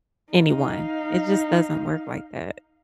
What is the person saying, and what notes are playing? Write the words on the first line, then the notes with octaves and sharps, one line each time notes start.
anyone. It just doesn't work like that.
D#4 F5